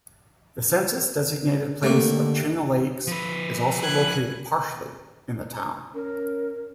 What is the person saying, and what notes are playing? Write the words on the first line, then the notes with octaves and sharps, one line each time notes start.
The census-designated place of Chain O' Lakes is also located partially in the town.
D3 A3 A#3 G4
F3 B4
F#6 G#6
C#4 A#4